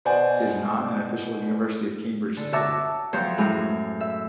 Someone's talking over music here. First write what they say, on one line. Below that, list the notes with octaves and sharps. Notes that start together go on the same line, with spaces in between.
It is not an official University of Cambridge table.
B2 C5 D5 F#5 G#5
D3
F#4 C#5 E5 A5 A#5 D6
F2 F3 F#3 C5 C#5
F#2 A2 G#3 E4
E5